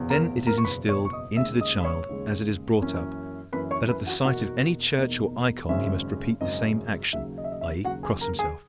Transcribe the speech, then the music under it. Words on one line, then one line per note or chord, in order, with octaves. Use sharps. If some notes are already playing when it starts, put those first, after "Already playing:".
Then it is instilled into the child as it is brought up that at the sight of any church or ikon he must repeat the same action--i. e., cross himself.
Already playing: F#1 E2 B2
A#4 A#5
A#4 A#5
C#6
F#1 E2 B2 B4 B5
C#5 C#6
C#6
D#5 D#6
D#2 C#3 G#3 E5 E6
D#5 D#6
B5
C#5 C#6
D#2 C#3 G#3
F#2 E3 A#3 C#4
F#2 E3 A#3 C#4 B4 B5
C#5 C#6
B4 B5
F#4 F#5
E2 B2 A#3 D#4 F#4 F#5
E2 B2 A#3 D#4
G#1 F#2 C#3 G#3 C#4 E5
G#1 F#2 C#3 G#3 C#4 D#5
D#2 C#3 F#3 E5
D#5
E5
D#5
E5
D#2 C#3 F#3 F#4 F#5
G#4 G#5
A#4 A#5
G#4 G#5